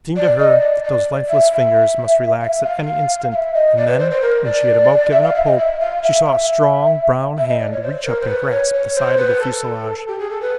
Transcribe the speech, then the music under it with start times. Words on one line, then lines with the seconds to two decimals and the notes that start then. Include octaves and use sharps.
It seemed to her that those lifeless fingers must relax at any instant and then, when she had about given up hope, she saw a strong brown hand reach up and grasp the side of the fuselage.
0.17 D5
0.39 D#5
0.61 D5
0.84 D#5
0.88 D5
1.29 E5
1.52 E5
2.41 F5
2.45 E5
2.64 F5
3.31 F5
3.35 E5
3.54 D#5
3.77 D5
3.87 B4
3.99 C5
4.11 C5
4.22 A#4
4.45 D5
5.12 E5
5.23 F5
5.35 E5
5.45 D#5
5.57 E5
5.80 F5
6.02 E5
6.25 F5
6.30 E5
7.37 E5
7.49 D#5
7.60 D5
7.72 C#5
7.83 C5
8.05 A#4
8.21 C5
8.28 B4
8.51 C#5
8.73 C#5
8.95 C5
9.18 B4
9.40 A4
10.08 G4
10.20 G#4
10.31 A4
10.42 B4